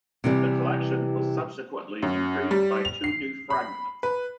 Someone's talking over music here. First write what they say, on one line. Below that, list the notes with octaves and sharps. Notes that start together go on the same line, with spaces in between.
The collection was subsequently increased by two new fragments.
C3 E3 G3
F#2
G3
F7
C7
B5
B4